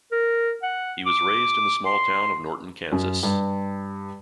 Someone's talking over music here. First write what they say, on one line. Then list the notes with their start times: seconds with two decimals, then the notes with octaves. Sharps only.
He was raised in the small town of Norton, Kansas.
0.12 A#4
0.62 F#5
1.06 D6
1.86 C6
2.92 F#2
3.23 G2